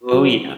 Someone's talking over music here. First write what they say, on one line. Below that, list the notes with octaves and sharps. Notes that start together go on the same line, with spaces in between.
Oh, yeah.
F#3